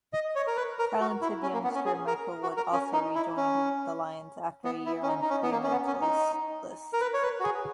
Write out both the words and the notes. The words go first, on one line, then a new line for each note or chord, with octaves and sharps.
Talented youngster Michael Wood also re-joined the Lions after a year on Fremantle's list.
D#5
C#5
A#4
B4
A#4
F#4
E4
C#4
A#3
B3
C#4
G#4
A#4
F#4
A#4
C#4
D#4
E4
C#4
B3
E4
C#4
D#4
D#4
C#4
B3
A#3
C#4
B3
C#4
D#4
A#4
B4
C#5
B4
F#4
G#4